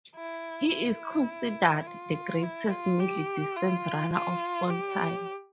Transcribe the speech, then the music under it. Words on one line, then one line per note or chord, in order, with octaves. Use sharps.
He is considered the greatest middle-distance runner of all time.
E4
E4
F4
E4
F4
G4
F4
F4
G4